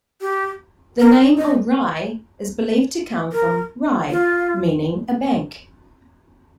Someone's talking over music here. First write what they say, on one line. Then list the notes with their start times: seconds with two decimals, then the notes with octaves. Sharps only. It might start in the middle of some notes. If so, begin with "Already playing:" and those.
The name of Rye is believed to come from "rie" meaning a bank.
0.21 G4
1.00 A#4
1.38 D#5
3.32 A#4
4.10 F4